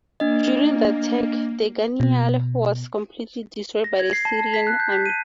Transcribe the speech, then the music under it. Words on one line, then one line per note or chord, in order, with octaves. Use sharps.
During the attack Degania Alef was completely destroyed by the Syrian army.
A#3 D4 D#5
B2
A#6
G#6
C7
A5
A5
B6
F#6
G6
B6
D#7